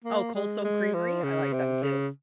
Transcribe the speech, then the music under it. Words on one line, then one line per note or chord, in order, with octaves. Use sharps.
Oh, Cold Stone Creamery? I like them too.
A#3
G#3
G#3
F3
C#3
C3
C#3